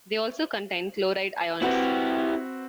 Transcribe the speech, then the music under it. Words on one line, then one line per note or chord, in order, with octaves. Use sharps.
They also contain chloride ions.
C4 E4 F#4 G4 B4